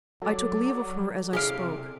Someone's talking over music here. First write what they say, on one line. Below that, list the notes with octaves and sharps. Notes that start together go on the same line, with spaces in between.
I took leave of her as I spoke.
F#3 A4 D5
C3 C#4 E4 G#4 F5 D7